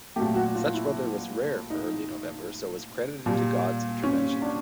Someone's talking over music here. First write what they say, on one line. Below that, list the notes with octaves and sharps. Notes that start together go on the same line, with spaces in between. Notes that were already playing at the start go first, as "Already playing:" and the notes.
Such weather was rare for early November, so was credited to God's intervention.
A#2 F#3 A3 G4
F#4
F4
E4
D#4
A#2 G3
C#4
D4